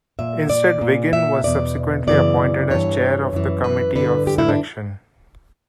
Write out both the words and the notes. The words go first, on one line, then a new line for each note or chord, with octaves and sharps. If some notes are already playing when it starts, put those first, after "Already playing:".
Instead Wiggin was subsequently appointed as Chair of the Committee of Selection.
A#2 E5
D5
A#2
E5
E2 B2 D5
F#2 C#3 E3 D5
G2 E3 C#5
F#2 E3
B4
G2 D3 B4
G4
E4
D4